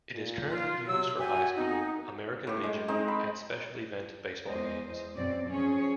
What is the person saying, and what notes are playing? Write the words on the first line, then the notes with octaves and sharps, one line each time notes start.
It is currently used for high school, American Legion, and special event baseball games.
A#2
F4
C3 F#3 E6
F#4 E5 G5 G#5
B3 C4 D#4
A2 G4
G#3
G#3 C4 D#4 D#5
B5
E2 G#3 C5 D#5
F#2 B2 F#3 C4 D5
F3 C#4 G#4 C#5